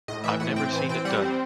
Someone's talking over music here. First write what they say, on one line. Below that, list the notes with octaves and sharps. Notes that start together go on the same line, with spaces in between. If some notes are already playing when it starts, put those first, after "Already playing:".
I've never seen it done.
A2 D#5
E3 E5
A2 F#5
C4 G5
E3 G#5
C4 G5
G3 F#5
C4